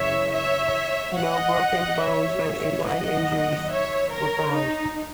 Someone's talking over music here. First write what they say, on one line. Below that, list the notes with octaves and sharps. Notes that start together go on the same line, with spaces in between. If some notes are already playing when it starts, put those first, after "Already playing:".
No broken bones or spinal injuries were found.
Already playing: F#2 C#3 E3 C#5 E5
C#5 E5
D#5 F#5
C#5 E5
D#2 D#3 F#3 D#5 F#5
C#5 E5
A#4 C#5
D#4